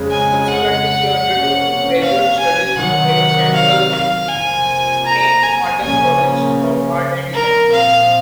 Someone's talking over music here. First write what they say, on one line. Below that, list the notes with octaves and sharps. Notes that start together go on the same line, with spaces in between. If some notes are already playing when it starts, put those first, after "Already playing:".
Subsequently she undertook graduate studies at Central Saint Martins College of Art and Design.
Already playing: F2 C#3 G#3
G#5
F#5
C3 F3 A#3 C#4
F5
G#5
C3 D#3 F#3 F#5
F5
F5
F2 C3 F3 A#3 G#5
A#5
G#5
C#3 F3 A#3 C#4 G#5
A#2 F3 C4 A#4
F5